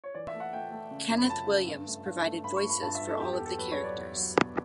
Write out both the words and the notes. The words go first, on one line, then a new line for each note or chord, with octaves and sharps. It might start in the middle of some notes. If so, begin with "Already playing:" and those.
Kenneth Williams provided voices for all of the characters.
C#5
E3 D5
E5
A3
F#5
A3 G5
A3
C#3
F#2
B5
C#3 A5
C#3
G2
A3
G2
A3
G2 B5
C#6
A3
B5
G2 A5
E5
G2
A4
E2 G4
A4
E2
A4
F#3 B4
C#5
F#3
D5
E2
F#3
B2